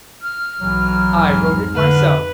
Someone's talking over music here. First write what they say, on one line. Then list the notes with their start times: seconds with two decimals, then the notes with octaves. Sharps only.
"I wrote it myself."
0.22 F6
0.59 B1 E3 F#3
1.09 F2 G#2
1.75 D3 B4